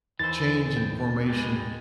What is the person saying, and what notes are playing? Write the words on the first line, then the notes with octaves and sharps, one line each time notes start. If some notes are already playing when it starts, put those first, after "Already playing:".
change in formation
D#2 E3 C5 E6 A6
G5
B2 G#3 G4